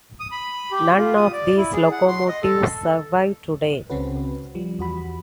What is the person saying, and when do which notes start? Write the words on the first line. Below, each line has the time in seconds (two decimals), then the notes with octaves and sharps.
None of these locomotives survive today.
0.20 D#6
0.32 B5
0.72 G4
0.98 F4
1.17 D#6
1.33 D5
1.57 E4
1.72 G#4
1.91 F#5
2.07 C6
2.28 D#5
2.43 A4
3.90 C#2 C#3 C4 C#4 F#4 B4
4.55 F3 G3
4.79 E2 F#4 B5